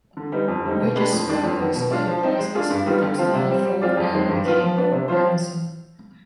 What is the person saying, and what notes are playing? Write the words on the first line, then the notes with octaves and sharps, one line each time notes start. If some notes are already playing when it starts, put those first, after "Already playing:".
Wages fell as did prices; debts did not fall and they became more burdensome.
D3
G3 B3 D#4
F2
D3 G3 C4 D#4
B2
G#3 D4 G4 B4
F2
D#3 G#3 D4
F2
D#3 B3
B2
G#3 D4 F4
F3
C4 D#4
G#3
D4 F4 G#4
G2
D#3 G3 B3 F4
D3
F3 C4 F4
C3
G3 C4
G3
C4 F4 G#4 D5
F2
D#3 G#3 C4
G2
D#3 B3 F4
F3
B3 D4
C3
F3 C4 F4 C5